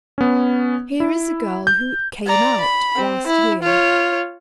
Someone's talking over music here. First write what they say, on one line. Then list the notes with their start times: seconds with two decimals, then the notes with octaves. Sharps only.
Here is a girl who "came out" last year.
0.18 B3 C#4
1.00 E4
1.67 G6
2.26 D5 A#5
2.61 B5
2.96 C4
3.27 E4
3.63 F4 C#5